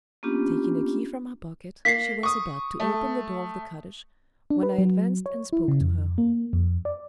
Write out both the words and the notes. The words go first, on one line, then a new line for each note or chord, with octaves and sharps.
Taking a key from her pocket, she was about to open the door of the cottage, when I advanced and spoke to her.
A#3 B3 C#4 D4 F4 G4
A#3 B6 C7
C#6 D#6
A3
D4
B4
F#3
C#5
E4
C#3
F2
A#3
F2
D5